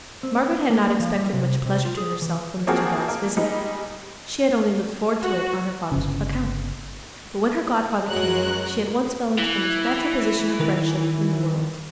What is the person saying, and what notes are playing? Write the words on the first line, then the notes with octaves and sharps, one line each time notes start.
Margaret had not expected much pleasure to herself from Mr. Bell's visit--she had only looked forward to it on her father's account, but when her godfather came, she at once fell into the most natural position of friendship in the world.
C4
A#3
F3
G3
C3
C3
F4
G#4
E3
F3 A#3 C4 F#4 G#4
A#3
G3 G#3 D#4
F#4
G1 C#3
F#2 G#3 F#4 A#4 C#5 F#6
E3
D#3 A#4 B4